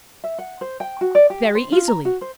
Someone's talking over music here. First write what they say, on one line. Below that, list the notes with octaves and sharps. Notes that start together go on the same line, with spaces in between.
"Very easily."
E5
F#5
C5
G5
F#4
D5
G4
C5
F4
A#5
F#4
C5